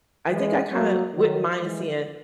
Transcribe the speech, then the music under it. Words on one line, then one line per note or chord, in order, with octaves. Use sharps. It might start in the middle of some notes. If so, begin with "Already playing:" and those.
I think I kinda wouldn't mind seeing
E3 G#3
F#3 A#3
D#3 F#3
E3 G#3